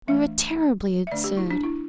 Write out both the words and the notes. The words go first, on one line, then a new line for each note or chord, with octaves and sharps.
We were terribly absurd.
E3 A3 D4 E5
E5
D3 A3 D4 D5
G4
E4
D4
E4